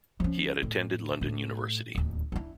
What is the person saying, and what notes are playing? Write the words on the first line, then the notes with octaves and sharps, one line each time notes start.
He had attended London University.
F3 C#4
A2
A2
D1 D#2
D4 E4